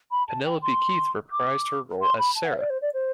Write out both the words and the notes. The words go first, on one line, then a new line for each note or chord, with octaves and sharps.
Penelope Keith reprised her role as Sarah.
B5
A5
G5
C6
D6
C6
B5
A5
F#5
E5
C5
D5
C5
D5
C5